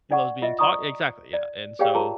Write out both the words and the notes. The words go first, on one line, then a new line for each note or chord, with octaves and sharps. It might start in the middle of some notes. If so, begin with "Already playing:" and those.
he loves being talk exactly, yeah, and so
D4 D5 F#5 C#6
F4 D#5 E5
D5 A#5 C#6 D#6
D5
G4 G#4 C#5 D5 F5 G5
F4 G#4 A#4 A5 A#5